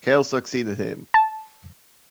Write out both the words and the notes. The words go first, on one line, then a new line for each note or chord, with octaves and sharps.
Cal succeeded him.
A5